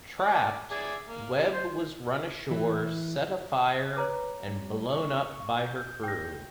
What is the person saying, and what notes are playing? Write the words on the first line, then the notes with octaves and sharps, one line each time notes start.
Trapped, Webb was run ashore, set afire, and blown up by her crew.
D5
G#4 D5 E5
A#3
G3
C5
E3
B4 C#5 A#5 D6
G3
C#6
G6
G5 A#6